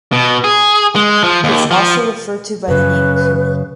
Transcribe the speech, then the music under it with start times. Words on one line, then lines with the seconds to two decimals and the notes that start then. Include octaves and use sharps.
He is also referred to by the name "Kumi".
0.12 B2
0.44 G#4
0.96 G#3
1.24 F3
1.44 D#2
1.71 F3
2.68 F#2 C#3 B4